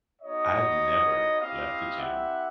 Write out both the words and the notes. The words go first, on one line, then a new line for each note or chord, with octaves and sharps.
I have never left the gym
B3 D#4 F#4 C#5 D#5
C4 E4 G4 D#5 F5
E5 F#5